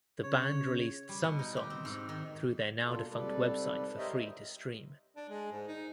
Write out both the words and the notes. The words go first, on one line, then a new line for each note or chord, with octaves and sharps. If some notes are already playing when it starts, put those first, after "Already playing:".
The band released some songs through their now defunct website for free to stream.
C#3 C#5
G3
B2
D#4
G4
C4
G#2
D#3
B2 A#3 D4 F4 A4
G#2 C3 G3 A4 B4 D5
G4 A#4 C5 C#5 D#5 E5
D4
G#3
G#2
D#4